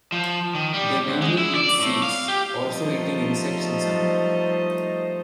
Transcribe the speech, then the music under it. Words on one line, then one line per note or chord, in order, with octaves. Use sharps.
They mainly eat seeds, also eating insects in summer.
F3
D#3
G3
D2
G#3
E4
D5
A2
F5
G4
F3 G3 A3 D#4 C5 D#5